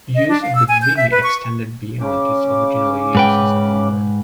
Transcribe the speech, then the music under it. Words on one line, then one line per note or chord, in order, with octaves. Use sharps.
Use of the Vimy extended beyond its original use as a bomber.
D#5
D4
F5
E6
G#5
G6
E5
B4
C#6
C#3 C#4 D6
G#2 B4 G5